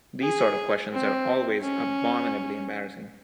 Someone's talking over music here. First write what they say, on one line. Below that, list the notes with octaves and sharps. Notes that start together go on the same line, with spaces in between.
These sort of questions are always abominably embarrassing.
G#4
C4
C#4